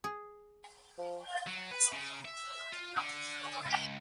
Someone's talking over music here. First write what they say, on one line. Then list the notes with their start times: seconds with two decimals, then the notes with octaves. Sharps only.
Mark Wahlberg was also approached for the role.
0.04 G#4
0.98 F3
1.47 F#3
1.71 B4
1.92 C#3
2.25 E5
2.72 F4
2.97 D3
3.66 C#2